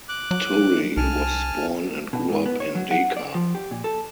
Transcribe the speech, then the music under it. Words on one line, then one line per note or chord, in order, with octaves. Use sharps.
Toure was born and grew up in Dakar.
D6 F#6
F#3
C2 G#5 A5 F6
B2
G#2
B3
C#5
F#3
F#5
D5
F3
G4
A#2
A4